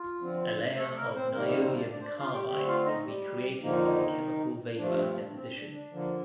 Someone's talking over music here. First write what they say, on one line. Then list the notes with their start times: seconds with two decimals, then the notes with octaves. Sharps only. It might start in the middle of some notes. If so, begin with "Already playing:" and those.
A layer of niobium carbide can be created by chemical vapor deposition.
Already playing: F4
0.19 D3 F3 C4
0.76 A3 A4
0.95 A#3 A#4
1.15 C4 C5
1.33 C3 D#3 G3 A#3 A#4
1.48 A3 A4
1.62 C4 C5
1.76 D4 D5
1.91 D4 D5
2.00 C5
2.05 D4 D5
2.19 F4 F5
2.34 G4 G5
2.47 D3 A3 C4 G4 G5
2.67 F4 F5
2.86 D#4 D#5
3.05 G3 G4
3.62 F2 D3 D#3 F3 A#3 D#4
4.77 G2 F3 A3 D4
4.96 C4
5.14 D4
5.34 C4
5.53 D4
5.73 D4
5.92 D3 F3 A#3